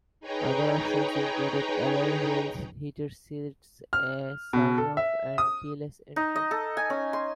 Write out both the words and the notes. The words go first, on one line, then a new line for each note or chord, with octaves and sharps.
Other options included alloy wheels, heated seats, a sunroof and keyless entry.
D#4 G#4 B4 C#5 G5 A#5
F6
B2
A4
E5
D#6
D#4
D#5
A4
G#5
C#4
C6